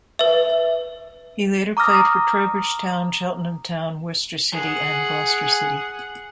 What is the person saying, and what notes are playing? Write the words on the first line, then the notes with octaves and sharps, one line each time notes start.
He later played for Trowbridge Town, Cheltenham Town, Worcester City and Gloucester City.
B4 E5
A#5 D6 D#6 F6 A#6
G#4 F#5